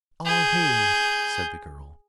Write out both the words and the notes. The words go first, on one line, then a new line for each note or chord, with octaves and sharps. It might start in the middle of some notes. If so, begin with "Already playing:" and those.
'All hail!' said the girl.
G#4 G6